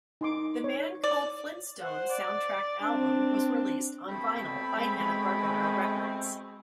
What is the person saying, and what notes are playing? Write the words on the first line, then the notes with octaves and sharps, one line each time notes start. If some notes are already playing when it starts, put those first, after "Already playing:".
The Man Called Flintstone soundtrack album was released on vinyl by Hanna-Barbera Records.
D#4 C6 D6
C#5
D5
C5 F#5
D5
C4 D4
B2 A3 C4 B5
G#3